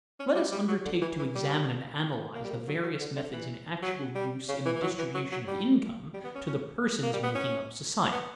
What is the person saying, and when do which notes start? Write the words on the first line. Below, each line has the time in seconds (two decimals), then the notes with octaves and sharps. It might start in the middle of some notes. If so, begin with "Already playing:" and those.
Let us undertake to examine and analyze the various methods in actual use in the distribution of income to the persons making up society.
0.20 C#4
0.35 G3
0.52 G3
0.68 F#3
0.85 D3
1.02 E3
1.19 E3
1.35 G3
2.35 A#3
2.44 G3
2.51 A#3
2.68 F#3
2.83 F#3
3.01 D3
3.16 D3
3.33 E3
3.82 F#3
4.15 G3
4.49 C#3
4.65 E3
4.76 E3
4.82 F#3
4.99 E3
5.14 F#3
5.32 F#3
5.48 G3
6.14 G3
6.24 B3
6.35 C#4
6.47 C#4
7.03 A#3
7.13 G3
7.23 B3
7.35 C#4
8.13 B3